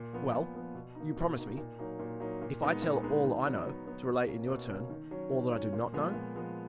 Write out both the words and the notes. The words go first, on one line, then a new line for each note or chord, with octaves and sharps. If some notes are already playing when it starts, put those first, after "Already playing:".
"Well, you promise me, if I tell all I know, to relate, in your turn, all that I do not know?"
Already playing: A#2
F3 B3
A#2
F3 B3
B2
A#3 D#4
B2
A#3 D#4
A#2
F#3 A#3 D#4
A#2
F#3 A#3 D#4
A#2
G#3 B3 D#4
A#2
G#3 B3 D#4
D#3
F#3 B3 D#4
D#3
F#3 B3 D#4
B2
A#3 C#4
B2
A#3 C#4
D#3
F#3 C#4
D#3
F#3 C#4
A#2
F3 G#3 B3
A#2
F3 G#3 B3